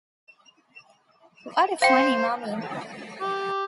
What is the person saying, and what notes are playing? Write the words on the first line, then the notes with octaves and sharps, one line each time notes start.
What a funny mummy!
C5 F5 G5
G4